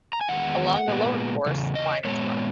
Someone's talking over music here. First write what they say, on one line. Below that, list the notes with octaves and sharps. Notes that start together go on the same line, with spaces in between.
Along the lower course, wine is grown.
A#5
G#5
E2 D#3 G#3 B3 F#5
A#2 G#3 B3
E2 C#3
D#5
A#2 G#3 B3 C#5